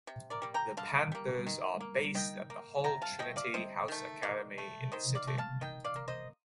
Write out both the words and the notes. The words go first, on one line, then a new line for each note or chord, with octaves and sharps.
The Panthers are based at the Hull Trinity House Academy in the city.
C3
A#4 D5
G3 A#3
G5 A#5
D3 F5 A5
G3 A#3
D#3
A#3
D#3 D#5 G5
A#3
C3 G5 A#5
F5 A5
F3 A3 D#5 G5
D5 F5
C3 C5 D#5
D#3 A3
D#3 D5 F5
A3
D#3 C5 D#5
D5 F5
A3
F5 A5
D#3 D#5 G5
D5 F5
A#3
C5 D#5